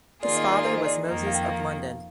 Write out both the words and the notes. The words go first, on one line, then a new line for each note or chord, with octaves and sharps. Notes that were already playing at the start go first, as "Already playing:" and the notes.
His father was Moses of London.
D#3 A#3 F4 G#4 D5
D#5
D5
C5
D#5
D5
F2 D#3 A#3 D#4 D#5
F5
G5
F5